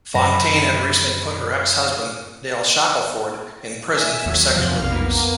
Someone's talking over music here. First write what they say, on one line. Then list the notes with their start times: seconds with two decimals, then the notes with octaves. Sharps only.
Fontaine had recently put her ex-husband Dale Shackleford in prison for sexual abuse.
0.15 F#2 B5 A#6
3.94 E5 G#5 E6
4.26 D#2 F#3
4.56 F2 C3 F3 F4
4.79 B1 F2 F5 F6
4.91 A#3 B3 A#4